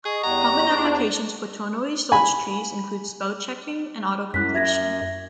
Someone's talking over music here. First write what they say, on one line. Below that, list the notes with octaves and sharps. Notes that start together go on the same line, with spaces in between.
Common applications for ternary search trees include spell-checking and auto-completion.
G#4 D#5 C#6
E2 G3 F#5 A#5
E2 D4 C5
G#5 B5
F#2 E4 F#6 B6
E5 G#6 A#6